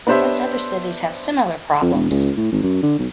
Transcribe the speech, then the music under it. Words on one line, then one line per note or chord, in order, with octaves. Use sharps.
Most other cities have similar problems.
B3 D4 G4 C5 C#5 E5
F2
E1
C#2
A2
G#1
F#2
D3
B1